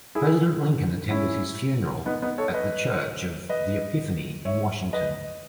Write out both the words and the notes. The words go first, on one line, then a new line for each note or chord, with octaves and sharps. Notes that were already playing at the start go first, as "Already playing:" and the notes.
President Lincoln attended his funeral at the Church of the Epiphany in Washington.
E4 G#4
C#4 E4
B3 D#4
B3 D#4
A4 C#5
B4 D#5
B4 D#5
C#5 E5
B4 D#5